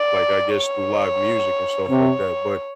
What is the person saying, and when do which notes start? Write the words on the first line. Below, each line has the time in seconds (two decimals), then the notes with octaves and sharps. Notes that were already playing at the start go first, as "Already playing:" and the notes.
like, I guess through live music and stuff like that. But
Already playing: D5
0.50 C#5
1.89 C3 C#5